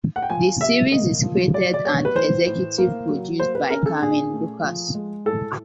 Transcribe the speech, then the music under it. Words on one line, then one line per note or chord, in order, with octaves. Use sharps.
The series is created and executive produced by Caryn Lucas.
F#5
G5
F3 G#5
C3 E5
A#3 D#5
F3
F#3 D5
D5
B3 C#5
B4
E3 C5
A2
A#3
F#3
A#3 C5
B4
C#4 A#4
A4
A#2 G#4
A3
F3
G#3
A2 A4